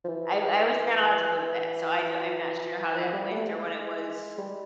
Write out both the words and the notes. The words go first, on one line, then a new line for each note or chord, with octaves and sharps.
I I was not allowed to go to that, so I do I'm not sure how that went, or what it was
F3
E3
F3
G3
A3
G#3
G3